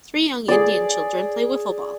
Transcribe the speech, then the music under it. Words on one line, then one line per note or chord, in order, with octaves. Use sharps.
Three young indian children play wiffle ball.
G#4 D5